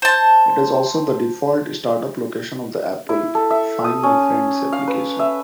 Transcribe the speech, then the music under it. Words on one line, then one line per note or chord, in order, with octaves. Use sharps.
It is also the default startup location of the Apple "Find my Friends" application.
C5 A5
E4
A4
E5
D#6
C#4
F5
B4
E5